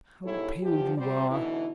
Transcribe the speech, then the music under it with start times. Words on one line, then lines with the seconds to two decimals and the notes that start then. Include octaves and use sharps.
How pale you are!'
0.25 G#2 B2 E4 G4 A4 C#5
0.61 E2 F3 F4 G4
0.96 G3 C4 F#4 C5 D5
1.30 D2 B2 E3 D#4 E4